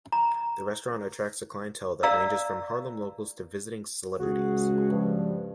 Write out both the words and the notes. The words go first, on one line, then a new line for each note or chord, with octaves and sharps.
The restaurant attracts a clientele that ranges from Harlem locals to visiting celebrities.
A#5
D5 F5 A#5 E6
C#2 F#4 G#4
G2 F3